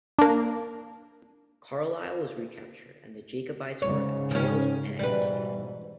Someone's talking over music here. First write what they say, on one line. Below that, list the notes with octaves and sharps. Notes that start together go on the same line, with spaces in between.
Carlisle was recaptured, and the Jacobites were jailed and executed.
A#3 D4
G#2 C#3 C#5
D#3 C#4
G#2 B2 E3 G3 B4